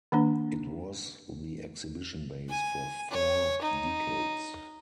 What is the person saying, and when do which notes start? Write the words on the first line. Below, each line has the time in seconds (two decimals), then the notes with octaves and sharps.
It was the exhibition base for four decades.
0.12 D#3 A#3 D4
2.49 G#5
3.11 C#5
3.62 D#4